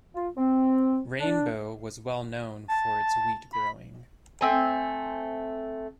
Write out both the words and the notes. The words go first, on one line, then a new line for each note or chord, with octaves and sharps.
Rainbow was well known for its wheat growing.
F4
C4
D4
A5
B5
A3 C4 G#5